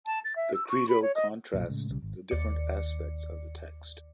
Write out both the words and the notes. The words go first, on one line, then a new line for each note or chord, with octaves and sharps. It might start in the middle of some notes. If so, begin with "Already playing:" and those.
The Credo contrasts the different aspects of the text.
A5
A6
E5
E6
C#6
B5
C#5
D#5
B1 F#2 A#2 F#3
A2 C#3 G#3
B1 C#3 G3
G#1
D#2 D5 C#7